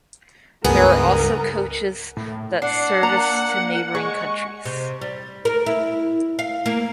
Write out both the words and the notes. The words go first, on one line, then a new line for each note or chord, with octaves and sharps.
There are also coaches that service to neighbouring countries.
C#2 G2 B3 G#4 A#4
A2
D4 F#5 C7
A#3 A#5
G#3 C#6
C3
G3
A#4
E4
F5
A#3